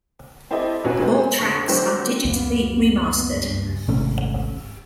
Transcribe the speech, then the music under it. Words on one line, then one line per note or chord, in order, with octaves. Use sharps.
All tracks are digitally remastered.
C4 E4 G4 A4 D#5
F1 D#2 B2 C#4 F#4
F#3 G#3 B3 C4
F1 D3 C#6
D3 F#3 A3 F#4 G4 C5
C#2 F#2 A#3 B3
G2
G#1 C3 A3 C#4